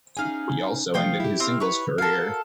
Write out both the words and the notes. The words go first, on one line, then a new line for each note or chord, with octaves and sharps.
He also ended his singles career.
C#4 D#4 G#4 F5 G#5
C3 F3 A3 F5 G5 D#6
E4 G4
C4 F5
B4 C#5
F#4 A4 A#4 F5